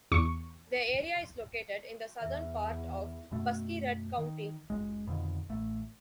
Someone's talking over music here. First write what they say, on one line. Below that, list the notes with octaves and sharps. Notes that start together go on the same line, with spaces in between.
The area is located in the southern part of Buskerud county.
E2 C#6
E2 E5
F#2 B2 A3
D#3
F#1 C#2 G#3
F2 B2 D3 D#3
A1 A3